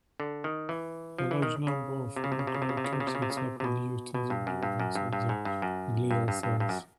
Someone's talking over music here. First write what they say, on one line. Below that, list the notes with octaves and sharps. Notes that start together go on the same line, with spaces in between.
A large number of nucleocapsids are produced in the neurons and the glial cells.
D3
D#3
E3
F3
E3
D#3
C#3
C3
C#3
C3
C#3
C3
C#3
C3
C#3
C3
C#3
C3
C#3
C3
C#3
C3
C#3
C3
C3
B2
B2
G2
F#2
G2
F#2
G2
G2
G#2
G2
F#2
G2
G2
G2
G2
F#2